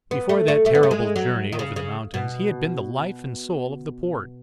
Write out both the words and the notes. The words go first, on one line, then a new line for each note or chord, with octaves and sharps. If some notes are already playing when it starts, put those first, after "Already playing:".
Before that terrible journey over the mountains he had been the life and soul of the Port.
B3
A3
A3
A3
B3
A3
G#3
F#3
D#3
C#3
C#3
B2